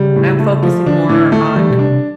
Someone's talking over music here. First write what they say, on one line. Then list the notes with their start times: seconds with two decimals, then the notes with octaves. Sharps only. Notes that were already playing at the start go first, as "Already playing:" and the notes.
I'm focusing more on
Already playing: C#3 G3
0.16 A2
0.39 A3
0.62 F3
0.86 D3 D4
1.09 A2
1.32 A3
1.56 E3 G3
1.70 B2
1.79 C3 D4